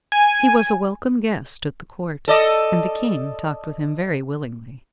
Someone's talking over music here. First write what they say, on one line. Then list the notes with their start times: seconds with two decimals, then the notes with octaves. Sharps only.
He was a welcome guest at the Court, and the King talked with him very willingly.
0.12 G#5
2.28 A4 D5 D#5